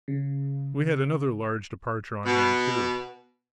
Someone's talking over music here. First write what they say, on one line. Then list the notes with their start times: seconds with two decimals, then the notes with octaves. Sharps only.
We had another large departure on hand, too.
0.08 C#3
2.25 B2